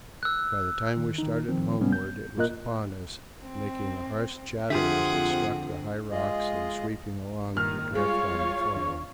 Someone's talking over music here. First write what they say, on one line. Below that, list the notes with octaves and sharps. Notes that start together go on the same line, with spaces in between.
By the time we started homeward it was upon us, making a harsh chatter as it struck the high rocks and sweeping along the drift on the floe.
E6 F#6
D#3
D#3 D#4
D#3 F3 C4
F2 A2 C3 G3 B3 C#4
G6
A#2 A#3 F4 A#4 D#5 F#6
C4
F2 D3 C4 F4 G4 G#4 E5 F#5
G#3 F4 G#4 D#5
G#1 A#2 D#3 F6
G3 G#3 F4 C#5 F5 C#6
D#2 D4